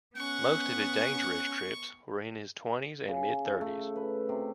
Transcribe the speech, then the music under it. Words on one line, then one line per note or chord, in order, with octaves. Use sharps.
Most of his dangerous trips were in his twenties and mid thirties.
B3 C#4 F#5 C#6
C#3
A4
A3
B4
C3